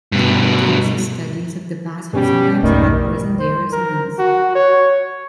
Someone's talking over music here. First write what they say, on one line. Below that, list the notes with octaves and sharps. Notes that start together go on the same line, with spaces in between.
Davis's studies of the past have sometimes had present-day resonance.
G2 B2
B2 G3 C#4
B1 F2 G#2 D#3 G3 A3 D#5
C5
A#4
F#4
C#5